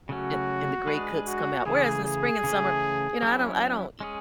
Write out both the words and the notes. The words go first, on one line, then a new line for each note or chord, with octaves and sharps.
the and the great cooks come out. Whereas in the spring and summer, you know, I don't I don't e
C#3 F#3 A3 C#4 F#4
G#3 D4 G#4 B4
F#4
C#3 E3 A3 G#4
G#4
C#3 E3 A3 C#4
F#3 C#4 E4
G#3 C#4 G#4